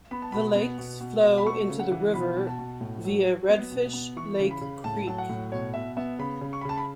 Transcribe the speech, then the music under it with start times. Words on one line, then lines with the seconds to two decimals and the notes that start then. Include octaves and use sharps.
The lakes flow into the river via Redfish Lake Creek.
0.11 B3 B5
0.22 A5
0.32 B2 B5
0.55 B3
0.79 B2
1.01 B2
1.23 B2
1.38 B5
1.46 A3 C#6
1.69 C#3
1.80 F#5
1.92 E3
2.13 B2 B5
2.36 B2
2.47 A5
2.59 B2
2.81 A2
3.04 F#3
3.27 F#3
3.49 B3
3.71 B2
3.93 B3
4.17 E3 C#6
4.39 C#3
4.51 B5
4.61 C#3
4.84 A2 A5
5.07 F#3 A5
5.18 F#5
5.29 A2
5.52 B2 C#5
5.74 B2 E5
5.97 B3 E5
6.19 C#3 B5
6.41 C#3
6.53 C#6
6.61 B5
6.65 C#3 A5
6.78 B5